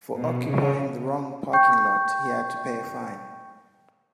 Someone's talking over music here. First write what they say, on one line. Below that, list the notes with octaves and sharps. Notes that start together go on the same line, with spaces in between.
For occupying the wrong parking lot he had to pay a fine.
B2
C#3
G5 C#6 G6